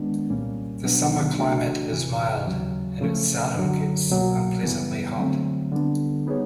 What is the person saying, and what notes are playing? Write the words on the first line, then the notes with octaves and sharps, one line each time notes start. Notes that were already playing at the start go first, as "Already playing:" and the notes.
The summer climate is mild, and it seldom gets unpleasantly hot.
Already playing: D#3 G#3 B3 D4
C2 A#2 G3 A#3 C#4
B2 F#3 B3 D4
C#3 E3 A3 D4 F#4
E2 C3 E3
D#2 C#3 F#3
C#3 F3 A3 C#4
F#2 D3 F#3
C2 B2 F#3 A#3
F#2 C#3 E3 G3 B3
D3 F#3 A3 C4
D3 G3 B3 D4
G3 B3 D#4 G#4 C#5